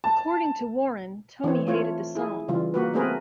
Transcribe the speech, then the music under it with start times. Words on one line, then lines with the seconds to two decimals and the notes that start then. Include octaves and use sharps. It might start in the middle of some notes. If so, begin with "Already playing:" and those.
According to Warren, Toni hated the song.
0.04 A5
1.44 E3 C4 C#5
1.67 A3 F4 C#5
2.15 E4 G#4
2.48 C#3 E3 G3 F4
2.74 A#3 F#4 B4
2.94 A3 B3 C4 G#4 A#4 B4